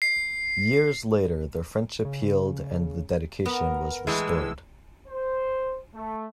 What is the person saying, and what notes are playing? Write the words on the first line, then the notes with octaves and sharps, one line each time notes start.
Years later, their friendship healed and the dedication was restored.
C7
C#3
B3 A#4
A2 E3 G#3 E6
C5
A3